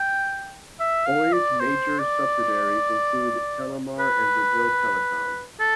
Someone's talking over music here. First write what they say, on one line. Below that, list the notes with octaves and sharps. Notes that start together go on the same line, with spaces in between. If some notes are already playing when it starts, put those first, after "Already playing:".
Oi's major subsidiaries include Telemar and Brazil Telecom.
Already playing: G5
E5
F5
D5
C5
D5
B4
A4